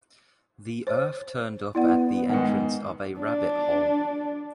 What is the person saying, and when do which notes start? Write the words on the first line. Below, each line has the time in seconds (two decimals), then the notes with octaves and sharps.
The earth turned up at the entrance of a rabbit-hole.
0.87 C5 C#5
1.75 B3 E4 D5 F#5
2.29 G#2 D#3 F#5
3.19 D4